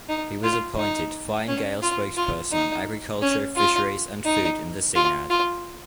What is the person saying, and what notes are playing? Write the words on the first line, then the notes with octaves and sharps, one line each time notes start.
He was appointed Fine Gael spokesperson on Agriculture, Fisheries and Food in the Seanad.
D#4
F4
D#4
C#4
F4
F4
D#4
C#4
F4
D#4
F4
F4